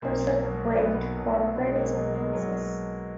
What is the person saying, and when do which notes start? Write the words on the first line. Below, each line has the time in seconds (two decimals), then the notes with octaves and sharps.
Cars are weighed for various purposes.
0.02 B1 A#3
0.41 B2 F#3
0.79 B1 B3
0.87 A#3
0.94 B3
1.17 B2 F#3
1.56 B1 B3
1.67 G#3
1.75 A#3
1.94 B2 F#3 G#3
2.14 G#3
2.33 B1 F#3
2.53 F#3